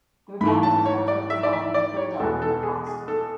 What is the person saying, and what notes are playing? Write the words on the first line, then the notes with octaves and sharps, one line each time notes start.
The regatta was alternately held in Philadelphia and Boston.
G#2 E3 A3 B5
A5
C#5
D5
E5
D5
E5
D5
C#5
E2 B2 G#3 B3 A4
A4
G#4
G#4
A4